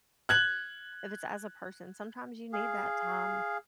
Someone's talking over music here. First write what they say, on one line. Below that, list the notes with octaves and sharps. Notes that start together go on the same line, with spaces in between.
If it's as a person, sometimes you need that time
F#6 G#6 F#7
G#4 F5